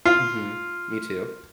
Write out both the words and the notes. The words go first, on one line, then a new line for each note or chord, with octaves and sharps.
Mhm. Me too.
F4